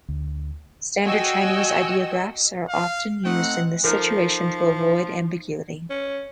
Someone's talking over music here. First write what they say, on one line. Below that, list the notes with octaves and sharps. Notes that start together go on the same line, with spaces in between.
Standard Chinese ideographs are often used in this situation to avoid ambiguity.
D2
F#4 D#5 G5 G#5 E6
F5
A3 C4 D#4 F#5
F3 D#4 A4 A#4
C#4